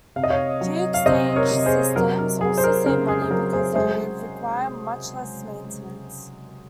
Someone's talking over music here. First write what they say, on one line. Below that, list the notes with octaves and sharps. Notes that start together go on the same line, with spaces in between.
Geo-exchange systems also save money because they require much less maintenance.
C3 F5
D#5
C#5 F5
F#3
F5
C3 C5 D#5
A#4 C#5
C3
G#4 C5
F#3 A#4
A#4
F#3 G#4
C5
A#4
C#3 A#4
G#4
G#4
F#3 A#4
G#4 C5
G#3 G#4 C5